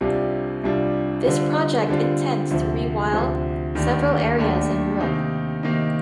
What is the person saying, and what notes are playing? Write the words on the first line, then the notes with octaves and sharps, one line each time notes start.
This project intents to rewild several areas in Europe.
C2 C3 G3 D4 F4
C2 C3 G3 D4 F4
D3 G3 C4 F4
D3 G3 C4 F4
D2 C3 F3
D2 C3 F3
D#2 D#3 A3 D4
D#2 D#3 A3 D4
C3 D#3 A#3 D#4
C3 D#3 A#3 D#4